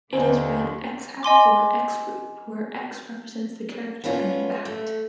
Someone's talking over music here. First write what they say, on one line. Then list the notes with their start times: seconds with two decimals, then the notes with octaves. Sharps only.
It is read "x-hat" or "x-roof", where "x" represents the character under the hat.
0.13 D#2 D3 C5 G#5
1.23 D#5 G#5 C6 D6
4.04 B3 C#4 D4 F4
4.65 A3